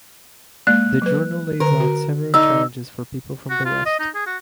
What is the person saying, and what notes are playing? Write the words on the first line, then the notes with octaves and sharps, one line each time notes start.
The journal lays out several challenges for people from the West.
G#3 A#3 D5 F#6
F#3 B4
D3 A#4 B4
F#4
D3 D#4 E6
F#4
F4
D#5
D#4
G#4
F#4